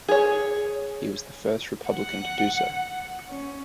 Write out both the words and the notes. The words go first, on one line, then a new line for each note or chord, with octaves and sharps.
He was the first Republican to do so.
G#4 C#5
F#5
C#4